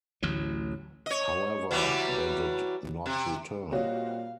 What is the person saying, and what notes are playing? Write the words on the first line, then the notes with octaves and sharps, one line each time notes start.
However, they did not return.
A1 D2 A2 F#3
C#5 D#5
E3 F#3 G3
C3
A#2 G3 C4 F#4 C#5 D#5 F5